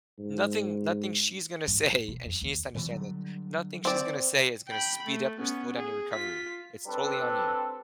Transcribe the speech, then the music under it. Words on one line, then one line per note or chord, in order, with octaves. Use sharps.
nothing nothing she's gonna say, and she needs to understand that nothing she's gonna say is gonna speed up or slow down your recovery. It's totally on you.
G#2
G#2
F1
B2
F2
D#2
B2 E3 F3
D3 F#3 G3
C4 D5
G5 B5
A3
B3 C#4
G#4
F4 B6
G3 C4 D4 A4 B4